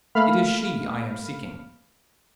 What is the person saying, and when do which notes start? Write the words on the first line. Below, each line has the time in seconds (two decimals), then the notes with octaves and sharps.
It is she I am seeking.'
0.15 A3 A#3 F5 B5 F6